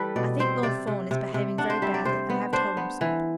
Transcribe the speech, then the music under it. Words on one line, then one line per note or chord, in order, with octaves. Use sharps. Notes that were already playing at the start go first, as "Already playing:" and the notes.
I think Lord Fawn is behaving very badly, and I have told him so.
Already playing: E3 G3 A4 B4
B2 D5
C4 C5
C3 D5
C3
C3
C3
D4 F#5
C5
G3 E5
D5
C3 C5
B3
D4 C5
B3
E3